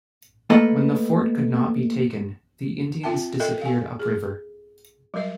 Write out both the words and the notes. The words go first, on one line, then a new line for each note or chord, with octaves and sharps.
When the fort could not be taken, the Indians disappeared upriver.
A3 A#3 A4 B4 D5 D#5
C4 F4 E5 G5 A5
A4 A#4 D#5 E5 G5
F5 G#5
G#4
F#3 G3 A#4 D#5